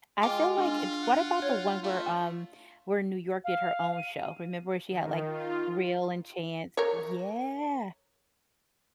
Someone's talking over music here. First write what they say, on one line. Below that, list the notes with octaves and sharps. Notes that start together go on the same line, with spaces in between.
I feel like it what about the one where, um, where in New York did her own show, remember she had, like, Real and Chance yeah.
G#3 F4 G5 D6
D4 F4
F#5
C#5
A3 F4
F5
D#7
D#3
F4
A#4 C#5